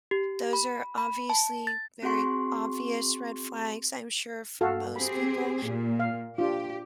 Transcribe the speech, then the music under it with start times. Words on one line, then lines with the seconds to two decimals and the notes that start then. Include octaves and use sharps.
those are obviously very obvious red flags, I'm sure, for most people.
0.11 G4
0.53 B5
0.98 B5
1.30 A5
1.67 A6
2.02 C4 F#4 G#4 F#5 C6 C#6
4.61 G2 F#4 A4 F5
4.96 C4 G4 G#4 B5
5.67 A#2
5.99 F5
6.38 D4 F4 G4